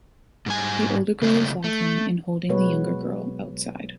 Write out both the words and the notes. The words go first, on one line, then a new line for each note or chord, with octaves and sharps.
The older girl is laughing and holding the younger girl outside.
G#2 G3 G#5
C#3 G#3 A3 C4
A3
B2 F#3 G#3 B3 B4 C#5